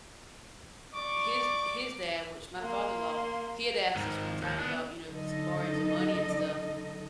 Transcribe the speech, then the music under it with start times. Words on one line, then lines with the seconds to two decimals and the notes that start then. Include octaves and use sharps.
his his dad, which my father-in-law, he had asked us one time about, you know, some borrowing some money and stuff.
0.95 D5 C#6 D6
2.61 A#3 C6
3.96 G#2 D#3
4.42 D#2
4.59 B3 D4
5.07 D3 F#3 D#4 A4 D#5